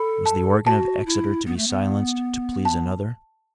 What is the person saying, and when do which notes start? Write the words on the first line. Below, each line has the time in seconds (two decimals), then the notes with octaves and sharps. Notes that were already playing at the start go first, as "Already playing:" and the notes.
Was the organ of Exeter to be silenced to please another?
Already playing: A4 B5
0.26 A5
0.66 F#4 A5
1.06 E4
1.46 B3
1.57 A3
1.68 B3
2.65 A5